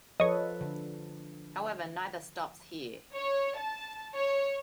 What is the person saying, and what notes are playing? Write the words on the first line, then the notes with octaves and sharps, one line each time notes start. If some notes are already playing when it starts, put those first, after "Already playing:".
However neither stops here.
F3 A4 B4 C#5 D#5
D3
C#5
A5
C#5